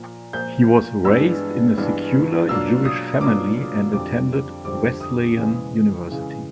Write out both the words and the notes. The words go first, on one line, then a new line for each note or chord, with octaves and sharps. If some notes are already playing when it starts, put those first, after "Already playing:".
He was raised in a secular Jewish family, and attended Wesleyan University.
Already playing: A#2 F3 A#3
A#2 F3 A#3 G6
G2 E3 G#3 B3 D4 E6
G2 E3 G#3 B3 D4
B2 F#3 A#3 D4 F4 E6
D#6
B2 F#3 A#3 D4 F4 D6
F2 D3 G3 C4 D6
F2 D3 G3 C4 D6
D#6
C#3 E3 G#3
C#3 E3 G#3